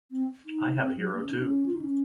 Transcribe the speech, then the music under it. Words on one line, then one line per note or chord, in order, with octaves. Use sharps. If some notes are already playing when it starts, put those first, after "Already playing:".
I have a hero too.
C4
D#4
C4
F#3
A#3
C#4
D#4
C#4
F4
D#4
C#4